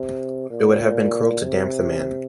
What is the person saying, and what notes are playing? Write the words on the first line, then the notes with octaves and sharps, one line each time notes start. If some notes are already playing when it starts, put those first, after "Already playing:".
It would have been cruel to damp the man.
Already playing: C3
A#2
C3